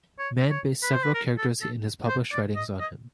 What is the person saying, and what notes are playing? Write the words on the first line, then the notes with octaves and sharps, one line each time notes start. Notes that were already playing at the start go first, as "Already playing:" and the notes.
Mann based several characters in his published writings on him.
C#5
C#5
B4
C5
B4
A#4
A4
A4
C5
D5
D#5
D#5